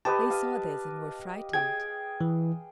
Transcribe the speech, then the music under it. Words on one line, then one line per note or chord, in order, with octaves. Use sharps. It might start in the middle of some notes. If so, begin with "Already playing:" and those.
They saw this, and were frightened.
G4 B4 D#5 A5
F5
G#4 G5 G#6
E3